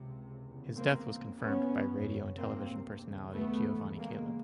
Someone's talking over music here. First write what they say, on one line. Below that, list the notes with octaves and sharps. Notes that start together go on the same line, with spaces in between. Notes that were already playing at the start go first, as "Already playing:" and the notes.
His death was confirmed by radio and television personality Giovani Caleb.
Already playing: C#2 C3
E2 C#3
A#3 C4
F2 C#3
B3 C#4
C#3
F#2
D2 C3 A#3 C4
D#2 C#3
A3 B3
E2 C#3
G#3 A#3